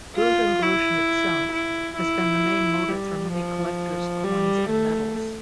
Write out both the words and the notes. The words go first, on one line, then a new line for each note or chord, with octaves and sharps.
Guldengroschen itself, has been the main motive for many collectors coins and medals.
F4
E4
E4
E4
G3
F3
G3
A3